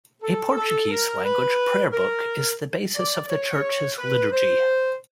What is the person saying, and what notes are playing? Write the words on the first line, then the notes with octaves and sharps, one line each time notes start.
A Portuguese language Prayer Book is the basis of the Church's liturgy.
A4
A4
A#4
B4
A#4
D5
C#5
B4
C5